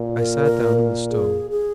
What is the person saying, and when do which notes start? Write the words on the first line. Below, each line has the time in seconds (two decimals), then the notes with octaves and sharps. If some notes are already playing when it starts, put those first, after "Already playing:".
I sat down on the stone.
Already playing: A#2
0.18 A#4
0.44 A#4
1.10 G#4
1.51 G#4